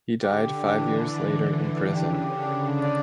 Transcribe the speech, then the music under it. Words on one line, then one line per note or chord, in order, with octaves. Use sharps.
He died five years later in prison.
D3 G4
E3 D4
D3 D5
D4
C#3 G4
D3
D4
D5